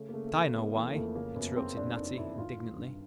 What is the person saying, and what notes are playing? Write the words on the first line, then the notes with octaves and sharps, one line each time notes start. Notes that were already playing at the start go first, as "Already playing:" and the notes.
"But I know why," interrupted Natty indignantly.
Already playing: C#3 A3
A#3
C#3 A3
A3
C#3 A#3
C#3 B3
E3 A#3
A3
F2 A#3
C#3 A#3
F#2 B3
C#3 C4
C#3 D4
F#2 D#4
F#2 E4
D#3 F4
D#3
G2